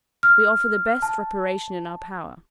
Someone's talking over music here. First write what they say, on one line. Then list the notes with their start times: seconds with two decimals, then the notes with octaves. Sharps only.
We offer the best reparation in our power.
0.23 F6
1.02 A5